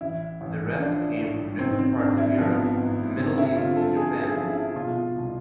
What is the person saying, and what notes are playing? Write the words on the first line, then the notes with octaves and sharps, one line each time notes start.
The rest came from different parts of Europe, the Middle East and Japan.
A1 E4
A1
F3 D4
A2
G#2 C4
C4
G#1 D4
E4
F3 B3
G#1
D3 C4
E4
D3 F4
A4
F3 G#4
G#4
F3
E4
B2 F4
C2